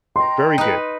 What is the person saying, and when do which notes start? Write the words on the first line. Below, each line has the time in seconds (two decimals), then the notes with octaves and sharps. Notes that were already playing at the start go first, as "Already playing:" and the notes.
very good.
0.16 D#5 G5 A#5 C6
0.58 D#4 B4